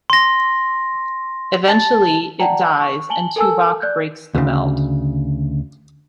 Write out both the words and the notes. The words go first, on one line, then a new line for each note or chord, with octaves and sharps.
Eventually, it dies, and Tuvok breaks the meld.
C6 A#6
A5
D5 F#5 G5 A5 A#5
C#6
G#5 A5 F#7 G7
A4 A#4 G#5 A5 E6
D5 F#6 G6
D2 C#3